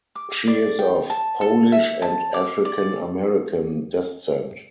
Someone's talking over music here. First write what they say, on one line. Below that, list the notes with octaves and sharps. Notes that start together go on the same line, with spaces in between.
She is of Polish and African-American descent.
D6
D5
G5
A5
A4
E5
A5
D6
D5